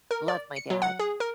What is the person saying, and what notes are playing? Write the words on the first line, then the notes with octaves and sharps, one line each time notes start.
love my dad-
A#4
D5
C#7
F#3
F#5
G#4
A#4